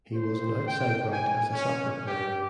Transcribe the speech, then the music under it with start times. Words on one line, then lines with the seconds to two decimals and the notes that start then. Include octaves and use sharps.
He was an outside right as a soccer player.
0.15 C5
0.67 G5
1.13 G#5
1.53 C#4
2.07 G4